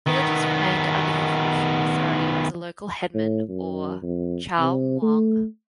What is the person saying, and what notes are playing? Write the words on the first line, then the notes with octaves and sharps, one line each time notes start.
Villages remained under the traditional authority of the local headmen or "chao muang".
D#3 B3
A2
F#2
F2
C3
A3